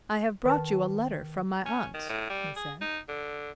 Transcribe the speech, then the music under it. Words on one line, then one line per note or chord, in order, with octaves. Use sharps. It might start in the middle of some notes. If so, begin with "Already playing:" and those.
"I have brought you a letter from my aunt," he said.
D#3 B4 A5
C#4
D#3
A2
G3
G#4
D#4
D3